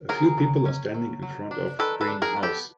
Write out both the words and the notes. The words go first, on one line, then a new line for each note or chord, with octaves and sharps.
A few people are standing in front of green house.
F#3 G#4 A#4
F#3
C#4
F#3
F#3
D4
D#3 A4 B4
A4 B4
D4
G#4 A#4
B3
G4 A4